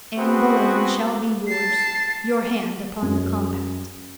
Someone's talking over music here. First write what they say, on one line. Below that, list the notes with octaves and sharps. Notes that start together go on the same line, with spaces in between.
"Anne Boleyn shall be yours. Your hand upon the compact."
B3 C4 F#4 G#4 B4 C5
A5 C7
F#2